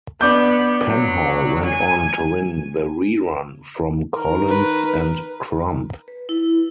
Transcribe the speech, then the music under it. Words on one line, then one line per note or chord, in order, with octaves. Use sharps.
Penhall went on to win the re-run from Collins and Crump.
B3 D4 D6 G6
F#3
G#5
D#3 A#4
B4
B4
E4